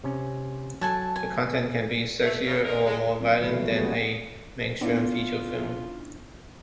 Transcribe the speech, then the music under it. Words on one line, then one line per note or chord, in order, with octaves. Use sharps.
The content can be sexier or more violent than a mainstream feature film.
C3 C#4
F#3 A4 G#5 A5
G#5
A3
C#3
D3 A#3 D#4 A#4
G#3
F#3 C4 F4
A#2 E3 F#3 A3 B4 F5
F3 G3 G#3 A#3 B3
G3 B3 F4 F#4 G#4
A#2 G#3 A#3 C#4 F#4 G4
B3 C#4 D4 E4 F4